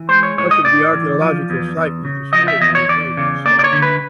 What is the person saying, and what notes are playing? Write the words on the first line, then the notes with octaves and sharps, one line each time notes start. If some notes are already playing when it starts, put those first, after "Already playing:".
Much of the archaeological site was destroyed to make way for the subdivision.
Already playing: E3
G#3 C5
C#5
A2 C#5
D#5
A2 D5
E3
F3
E2
E2
C#3
F3 D#5
E5
E2 D#5
C#5
E2 D5
C#3
A#3 D5
D5
C#5
D3
B4